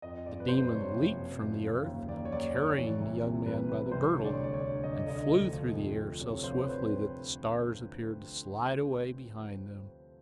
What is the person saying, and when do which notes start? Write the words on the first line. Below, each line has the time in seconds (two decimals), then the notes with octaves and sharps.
The Demon leaped from the earth, carrying the young man by the girdle, and flew through the air so swiftly that the stars appeared to slide away behind them.
0.02 F2 D#5
0.26 F3 D5
0.40 B4
0.48 F#1 C5
0.71 C3 C#5
0.94 F3
1.17 F#1
1.40 F3
1.64 C#3
1.86 D#2
2.08 D#2 D5
2.25 C#5
2.32 D#2 D5
2.54 D#2 C#5
2.78 E3
3.00 C2
3.23 C3
3.46 C2 B4
3.69 C3 B4
3.92 C2 C5
4.15 D3 C#5
4.25 D5
4.34 D2 C#5
4.44 D5
4.54 C#5
4.61 D3
4.83 D2 D#5
4.95 D5
5.06 D3 D#5
5.29 D2
5.52 F3
5.75 F2
5.98 F2
6.21 C3 C#5
6.44 F3 C5
6.52 C#5
6.60 C5
6.67 F3 B4